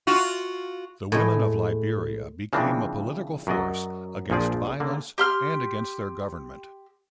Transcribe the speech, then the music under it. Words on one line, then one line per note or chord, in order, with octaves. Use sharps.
The women of Liberia became a political force against violence and against their government.
F4 F#4
A2 G#3
C#3 E3 F3 A#3 C4 D4
F#2 F#3 D5 D#5
A#1 A#2 F3 G#4 D5
D3 A#3
G4 C6 F6